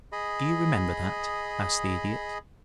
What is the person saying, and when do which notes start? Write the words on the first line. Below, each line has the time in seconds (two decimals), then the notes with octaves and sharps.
"Do you remember that?" asked the Idiot.
0.12 G#4 D#5 B5